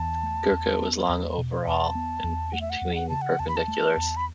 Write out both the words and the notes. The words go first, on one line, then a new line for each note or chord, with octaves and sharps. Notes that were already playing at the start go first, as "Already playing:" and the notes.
"Gurkha" was long overall and between perpendiculars.
Already playing: E2 E3 A5
A3
E2
B3
E2
B2
E2 A5
B3
E2
A3 F#5
E5
F#5
E2
F#5
C#3 A5
F#5
E2 A5
B5
A5
A3
E2
B5